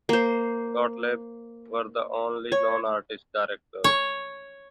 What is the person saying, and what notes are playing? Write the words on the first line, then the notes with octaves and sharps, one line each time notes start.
Gottlieb were the only non-artist directors.
A#3 C5
C#5
C#5